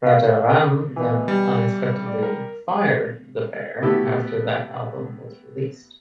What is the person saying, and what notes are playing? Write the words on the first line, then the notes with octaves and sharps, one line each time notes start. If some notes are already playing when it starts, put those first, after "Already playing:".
Raja Ram then unexpectedly 'fired' the pair after that album was released.
F5
B2 E3
G3
D5
A#4
A3 B3 E4 F#4 G4 B4